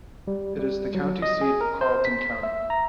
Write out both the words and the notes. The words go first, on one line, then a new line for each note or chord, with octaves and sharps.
It is the county seat of Carlton County.
G3
G3
F#3
D#5
G#4
A#4
C5
B6
E5
A#5